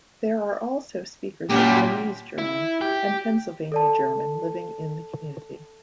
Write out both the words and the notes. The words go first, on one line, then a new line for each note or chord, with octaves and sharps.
There are also speakers of Bernese German and Pennsylvania German living in the community.
F#2 A#2 F#3 G3 G4
E4
G4
A4 D5 A5